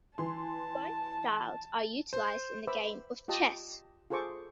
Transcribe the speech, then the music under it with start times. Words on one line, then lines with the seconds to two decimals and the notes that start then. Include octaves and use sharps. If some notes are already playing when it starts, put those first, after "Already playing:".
Both styles are utilized in the game of chess.
0.18 E3 A5 C6
2.13 C5
2.67 B4 C5 E5 B5 D6 E6
3.28 F4 G4 D#5 A5
4.10 F4 G#4 A4 C5 C#6 D6